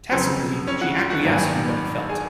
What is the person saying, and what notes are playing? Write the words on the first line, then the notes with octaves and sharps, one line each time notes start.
Tacitly, she acquiesced in what he felt.
F2 C#3 F#3 B3 C4 C5
C#4 C#5
F#4 F#5
F4 F5
F#4 F#5
G#1 G2 D#3 F#3 A#3 G5
G#5
G4 G5
G#4 G#5